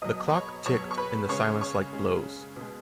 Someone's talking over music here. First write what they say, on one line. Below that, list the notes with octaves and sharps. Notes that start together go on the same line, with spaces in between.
The clock ticked in the silence like blows.
B2 F#3 D#5 D#6
B5
C#5 C#6
B2 F#3 C#5 C#6
C#6
B4 B5
C#3 G#3 C#5 C#6
C#5 C#6
C#3 G#3
B2 G#3